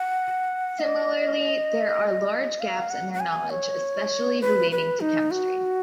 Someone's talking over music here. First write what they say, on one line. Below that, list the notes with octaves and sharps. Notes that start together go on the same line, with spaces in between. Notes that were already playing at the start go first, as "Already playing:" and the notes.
Similarly, there are large gaps in their knowledge, especially relating to chemistry.
Already playing: F#5
D#5
F5
F#5
F#5
G#5
C#5
B4
B4
D#4
F#4